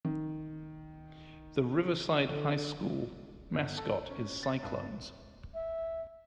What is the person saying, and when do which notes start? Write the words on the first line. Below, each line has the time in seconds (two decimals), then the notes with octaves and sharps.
The Riverside High School mascot is Cyclones.
0.05 D#3
2.29 D3
3.54 G1
3.77 A4
4.10 C#4
4.43 A6
4.63 G2
5.54 E5